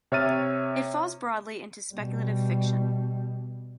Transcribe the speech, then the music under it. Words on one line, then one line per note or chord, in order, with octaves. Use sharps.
It falls broadly into speculative fiction.
C3 C#5 E5 F6 A6 D#7
B2 G3